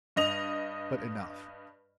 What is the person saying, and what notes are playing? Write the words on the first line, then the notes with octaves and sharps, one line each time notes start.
But enough....
G2 D#5 F7